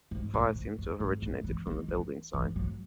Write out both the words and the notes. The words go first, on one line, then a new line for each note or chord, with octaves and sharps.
The fire seems to have originated from the building sign.
G#2
A2
G#2
F#2
G#2
A2
E3
D#3
E3
E3
F#3